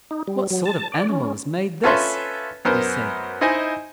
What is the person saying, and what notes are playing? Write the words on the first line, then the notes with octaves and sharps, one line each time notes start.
"What sort of animal has made this?" he said.
D#4
G3
F#3
A5
D5
C#4
C#4 F4 A4 B4 E5 C6
F#2 B3 A#4 C5
D#4 E4 C5 D#5 G#5